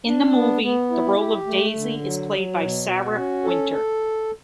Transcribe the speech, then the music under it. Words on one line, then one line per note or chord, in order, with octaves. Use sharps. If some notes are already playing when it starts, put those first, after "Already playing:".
In the movie, the role of Daisy is played by Sarah Wynter.
D4
B3
B3
E4
G4
A3
D3
F#3
F#3
B2
F#4
C#4
A4
A4